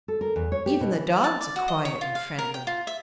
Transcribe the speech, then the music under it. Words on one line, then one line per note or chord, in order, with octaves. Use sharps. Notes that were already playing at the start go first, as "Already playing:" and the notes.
Even the dogs are quiet and friendly.
A4
A#4
E2
C#5
G4
B2
E3
A5
D5
F#4
D#5
C#5
F4
F5
A#4
G5
F4
E5